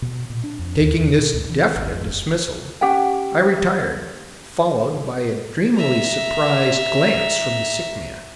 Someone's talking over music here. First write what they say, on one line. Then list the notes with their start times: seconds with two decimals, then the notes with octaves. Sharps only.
Taking this definite dismissal, I retired, followed by a dreamily surprised glance from the sick man.
0.02 B2
0.30 A#2
0.44 D4
0.59 F2
0.81 D#2
0.97 E2
1.18 B2
1.34 C#2
1.49 E3
1.76 G#1
1.91 F2
2.08 F#1
2.81 C#4 G4 F#5 G5
5.77 E5 A#5